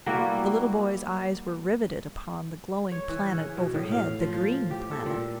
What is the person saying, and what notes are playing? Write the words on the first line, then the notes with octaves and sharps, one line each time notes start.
The little boy's eyes were riveted upon the glowing planet overhead, the green planet.
G3 A#3 E4 F#4
C#5
E3
C#3
B2
A2
F5
F3
G4
A4
A#2